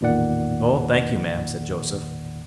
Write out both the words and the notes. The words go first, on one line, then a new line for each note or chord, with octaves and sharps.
"No, thank you, ma'am," said Joseph.
A1 E2 A#2 D#3 D5 F#5